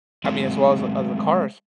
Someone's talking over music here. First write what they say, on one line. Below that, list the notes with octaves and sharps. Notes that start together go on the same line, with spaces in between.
I mean, as well as the as the cars
F#3 G#3 A3 C4